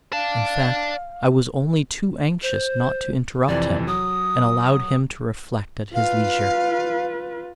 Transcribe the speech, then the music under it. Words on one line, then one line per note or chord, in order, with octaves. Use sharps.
In fact, I was only too anxious not to interrupt him, and allowed him to reflect at his leisure.
D5 F5 A5
C5
F2 C3 E3 D5
F#3 D#6
F4 B4 F5